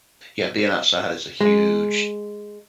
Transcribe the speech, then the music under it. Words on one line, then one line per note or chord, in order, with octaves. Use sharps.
Yeah, being outside is a huge
G#3